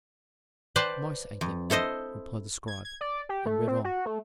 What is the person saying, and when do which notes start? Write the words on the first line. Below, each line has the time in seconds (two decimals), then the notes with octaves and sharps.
"The mice ate them," replied the scribe, and read on.
0.76 B4 C5 D5 G5 A5 C6
1.41 F2
1.70 E4 A4 C5 D#5
2.68 G#6
2.85 G#6
3.01 D5
3.29 G4
3.46 A3
3.68 C4
3.84 F#4
4.06 A3